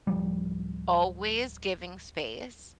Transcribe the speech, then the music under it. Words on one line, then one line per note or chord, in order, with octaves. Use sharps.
always giving space.
D1 G1 F3 G3